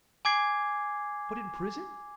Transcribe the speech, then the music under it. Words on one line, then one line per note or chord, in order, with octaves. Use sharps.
"But in prison?"
G#5 D6 G#6 C7